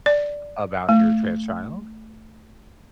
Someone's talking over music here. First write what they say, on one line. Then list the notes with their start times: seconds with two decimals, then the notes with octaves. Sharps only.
about your trans child?
0.06 D5
0.89 A3